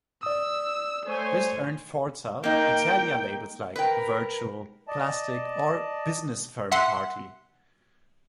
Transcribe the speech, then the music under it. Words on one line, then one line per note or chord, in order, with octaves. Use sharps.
This earned Forza Italia labels like "virtual", "plastic" or "business-firm party".
D5 D#6 E6
A3 C5 C#5 G#5
A#3 D#4 G5
A#4 B4 G5
D5 D#5 A5
E5 F#5 C6